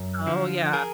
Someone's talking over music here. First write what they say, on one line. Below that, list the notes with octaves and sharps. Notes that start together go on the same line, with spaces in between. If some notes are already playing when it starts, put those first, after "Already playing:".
Oh, yeah.
Already playing: F#2
D3 F3
G#4 A#4